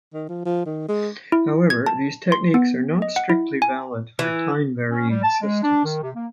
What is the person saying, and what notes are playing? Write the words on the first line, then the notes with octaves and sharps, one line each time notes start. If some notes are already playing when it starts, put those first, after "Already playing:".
However, these techniques are not strictly valid for time-varying systems.
D#3
F3
F3
D#3
G#3
E4
G#6
A5
C6
B3
D#5
F#5
E4
G#5
E3
C#4
G3
A5
G#3
D4
D#3
C3
A#3